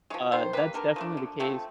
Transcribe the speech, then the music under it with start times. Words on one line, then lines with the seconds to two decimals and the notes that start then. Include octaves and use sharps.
uh, that's definitely the case
0.10 F3 G#3 C#5
0.32 D#3 C5
0.53 G3 A#3 B4
0.74 D3 A#4
0.96 F3 A3 D4
1.17 D3
1.40 F3 A3 C4